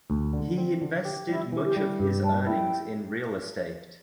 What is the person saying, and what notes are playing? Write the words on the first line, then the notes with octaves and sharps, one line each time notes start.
He invested much of his earnings in real estate.
D2
D3
C4
D3
G4
G3 E4
E3
G4
G3
G2 G4
G3 A5
E4 G5